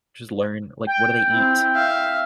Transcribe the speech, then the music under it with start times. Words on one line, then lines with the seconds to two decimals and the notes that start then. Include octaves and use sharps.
Just learn, like, what do they eat?
0.87 G5
1.29 C4 E4
1.75 E5 F5